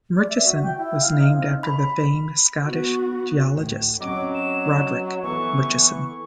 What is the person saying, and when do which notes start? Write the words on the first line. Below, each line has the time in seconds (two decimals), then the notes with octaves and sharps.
Murchison was named after the famed Scottish geologist Roderick Murchison.
0.16 D5
0.29 E5
0.44 F#4
0.63 G5
0.78 E4
1.01 F5
1.19 D#4
1.32 C4
1.63 B5
2.66 B3 F#4
3.55 D2 A2 E4
4.01 F#3 C4 C#4 D#5 D6
4.35 E7
5.23 E3 B3 A4 C#6